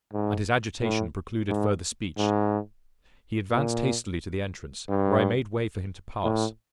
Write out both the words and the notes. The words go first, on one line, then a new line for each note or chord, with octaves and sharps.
And his agitation precluded further speech; he advanced hastily to the entrance, where I made way for him to pass.
G#2
A2
G#2
G#2
A#2
G2
A2